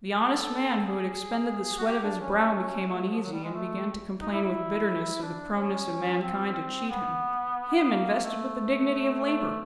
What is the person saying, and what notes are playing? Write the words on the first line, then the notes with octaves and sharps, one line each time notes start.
The honest man who had expended the sweat of his brow became uneasy, and began to complain with bitterness of the proneness of mankind to cheat him--him invested with the dignity of Labour!
A4
G#4
F#4
G4
D4
C#4
C#4
A3
F3
F#3
G3
G#3
A3
D#4
E4
E4
D4
C#4
C4
B3
A#3
A3
A3